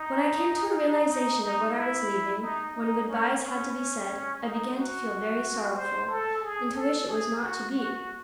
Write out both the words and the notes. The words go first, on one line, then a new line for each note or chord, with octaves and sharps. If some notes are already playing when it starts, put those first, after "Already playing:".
When I came to a realization of what I was leaving, when good-bys had to be said, I began to feel very sorrowful, and to wish it was not to be.
Already playing: D#4
D#4
D#4
D#4
E4
D#4
D#4
C#4
C#4
D#4
F#4
C5
A4
G#4
A4
G#4
F#4
F#4